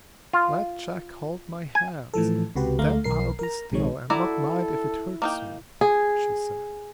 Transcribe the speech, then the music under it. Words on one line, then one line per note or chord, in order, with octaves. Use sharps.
'Let Jack hold my hands; then I'll be still, and not mind if it hurts me,' she said.
F4
G#5
A2 E3 F3 A4
C#2 C3 F#4 G4 B4
D2 A3 F5 A#5
B1 A#4 C7
A#4 A#5
A#1 C3 D#3 G#3 C#5
E4 F#4 A4 D5 A#5
A#3 D#4 G5
G#4